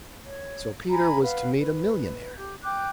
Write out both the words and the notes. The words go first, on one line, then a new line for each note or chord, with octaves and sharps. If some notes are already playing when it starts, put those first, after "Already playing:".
So Peter was to meet a millionaire!
C#5
G#5 A#5 B5
B4 F5 F#5
B4
G4 G6
G5 D6 F#6 G6